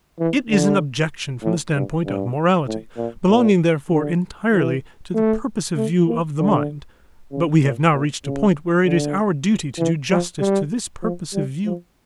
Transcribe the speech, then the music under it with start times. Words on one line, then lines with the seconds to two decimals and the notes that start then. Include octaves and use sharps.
It is an objection from the standpoint of morality, belonging therefore entirely to the purposive view of the mind, but we have now reached a point where it is our duty to do justice to this purposive view too.
0.19 E3
0.50 D3
1.43 A2
1.74 G2
2.05 G2
2.67 A2
2.97 A#2
3.29 A#2
3.90 D3
4.53 E3
5.14 A3
5.76 A3
6.07 A#3
6.39 D3
7.31 C#3
7.63 A#2
7.93 A#2
8.24 C#3
8.85 D3
9.79 E3
10.10 F3
10.40 G3
11.02 F3
11.34 G3
11.65 F3